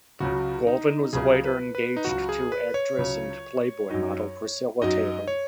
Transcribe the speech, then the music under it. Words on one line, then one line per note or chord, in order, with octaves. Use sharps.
Goldin was later engaged to actress and "Playboy" model Priscilla Taylor.
C#2 C#3 F#3 F#4
D#4
C#2 C#3 F#3 G#4
B4
B4
D#4
C#2 C#3 F#3 F#4
G#4
B4
C#5
C#2 C#3 F#3
F#2 F#3 D#4 F#4
F#2 F#3 D#4 F#4 D#5
C#5